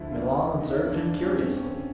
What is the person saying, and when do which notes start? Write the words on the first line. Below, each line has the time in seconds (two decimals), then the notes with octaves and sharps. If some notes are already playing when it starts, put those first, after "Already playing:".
Milon observed him curiously.
Already playing: D2 D3 F3 E4
0.11 F4
0.60 D#4
0.68 E4
0.76 D#4
0.85 F2 C3 F3 D4
1.22 C#4
1.35 C4
1.59 C#4